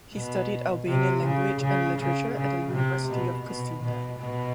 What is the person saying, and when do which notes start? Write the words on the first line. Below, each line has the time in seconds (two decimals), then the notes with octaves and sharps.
He studied Albanian language and literature at the University of Pristina.
0.14 B2
0.87 C3
1.25 C#3
1.61 C#3
1.99 C#3
2.36 C#3
2.72 C3
3.09 B2
3.46 B2
3.83 B2
4.19 B2